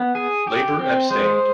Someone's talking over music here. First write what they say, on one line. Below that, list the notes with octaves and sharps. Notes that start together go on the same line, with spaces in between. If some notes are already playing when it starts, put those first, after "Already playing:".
Labour abstained.
Already playing: B3
G#4
G4
C4
G#3 C5